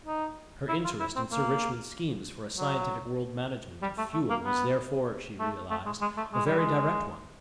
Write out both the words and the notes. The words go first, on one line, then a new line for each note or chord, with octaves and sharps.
Her interest in Sir Richmond's schemes for a scientific world management of fuel was therefore, she realized, a very direct one.
D#4
E4
F4
E4
C4
A#3
F#3
G3
A3
A3
A#3
B3
A3
A3
G#3
G#3
A3
G#3
G3
G#3